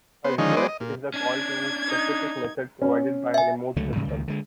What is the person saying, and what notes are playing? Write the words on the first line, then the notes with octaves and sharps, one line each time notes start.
A request is a call to a specific method provided by a remote system.
B3 C5
D3 D#3 F3 G#3 C#4 D#4
G#3 B3 C5 D5 D#5
D#5
A#2
C#4 D4 G#6
D#4
C#4
E5 G#5
C#2 D3 F#3 A3
G#2 C#3 E3 G3
C#2 D#3
D3 G#3